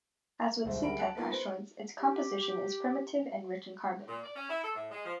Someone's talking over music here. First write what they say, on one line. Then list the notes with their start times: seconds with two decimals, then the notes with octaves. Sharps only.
As with C-type asteroids, its composition is primitive and rich in carbon.
0.65 D#1 C2 G#2 A3 C5
0.83 D2 G3 G#3 A#4 B5 D7
0.98 A5 F#6
1.17 A#3 B3 D#4 F4 B4
1.31 B4 C5
2.01 G4
4.08 A#2
4.23 D5
4.35 C#4
4.49 E4
4.62 A4
4.75 A2
4.91 G#3
5.05 F3